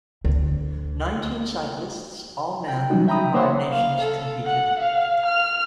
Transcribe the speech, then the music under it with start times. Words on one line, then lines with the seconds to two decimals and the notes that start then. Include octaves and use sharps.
Nineteen cyclists, all men, from five nations competed.
0.24 D2
2.68 G5
2.90 E3 F#3 G3 C#4 D#4 F#4
3.08 E5 G5 A#5 B5 D#6
3.34 A#3 C5 C#5 E5 F#5 C6
3.71 F5
4.01 A4
4.44 F#5
4.79 F5
5.25 F6